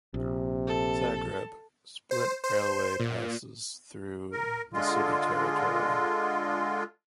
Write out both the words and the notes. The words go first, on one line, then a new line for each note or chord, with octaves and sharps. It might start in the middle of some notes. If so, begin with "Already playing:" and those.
Zagreb - Split railway passes through the city territory.
A#1 C3
A4
C5
C5
A#2
A#4
D3 G#3 F4